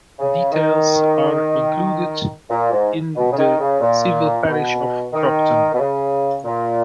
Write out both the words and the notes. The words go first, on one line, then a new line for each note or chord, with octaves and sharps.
Details are included in the civil parish of Cropton.
C#3
D#3
A#2
G#2
B2
C#3
D#3
C#3
A#2
B2
D#3
B2
C#3
A#2